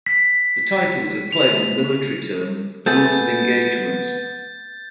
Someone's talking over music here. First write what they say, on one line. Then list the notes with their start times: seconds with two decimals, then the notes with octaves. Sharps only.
The title is a play on the military term, "Rules of engagement".
0.06 B6
1.32 F7
2.86 A3 B3 G#4 G6 A6